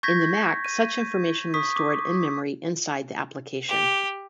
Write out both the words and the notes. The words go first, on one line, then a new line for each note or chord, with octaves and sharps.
In the Mac such information was stored in memory inside the application.
C#6 G6 G#6 A#6 B6
D#7
C#6 D#6 B6
D6
G4